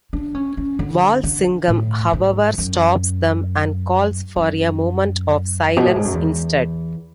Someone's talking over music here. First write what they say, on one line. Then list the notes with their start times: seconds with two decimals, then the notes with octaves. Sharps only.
Walsingham, however, stops them and calls for a moment of silence instead.
0.13 D4
0.35 C#4
0.57 C#4
0.79 D3
1.24 D3
1.68 A2
2.13 G#2
2.58 F#2
4.36 F#2
5.77 B2
5.86 A2
5.96 G#2
6.05 F#2
6.14 E2